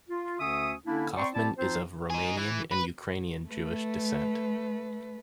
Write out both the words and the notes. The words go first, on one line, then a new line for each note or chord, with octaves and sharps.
Kaufman is of Romanian and Ukrainian Jewish descent.
F4
D2 D3 C#4 E5 C#6 D#6
D3 A#3 C#4 D4 E4
C4 D5 G5 A#5 C6 C#6
C4 E4 G4 D5 A5
F3 C4 D#4 F4 C5
D#4 G#4
E3
B4
A3 B4